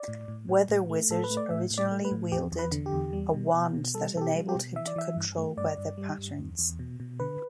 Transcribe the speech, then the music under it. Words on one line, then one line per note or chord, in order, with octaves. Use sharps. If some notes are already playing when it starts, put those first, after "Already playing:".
Weather Wizard originally wielded a wand that enabled him to control weather patterns.
Already playing: D5
A2
A2
A2
A2
A3
A2 A4
B4
A3
D5
A2 E5
A2
D5
A3
B4
A2
E2 G4
E2
B4
D3
G4
E2
G3
B2
B2
B2
G3 A4
B2 A4
G4
G3
G4
B2
E3 E5
D5
E3 E5
G2
A3
G2 D5
G2
G3
G2
E2
E2
B2
B2
D3 B4